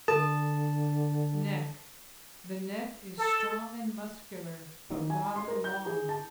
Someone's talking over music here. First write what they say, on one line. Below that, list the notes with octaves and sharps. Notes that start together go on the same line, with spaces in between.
NECK--The neck is strong and muscular, but rather long.
D3 A4 A5
A4
D#3
G#5
C6
A#4
G6
G#4
A5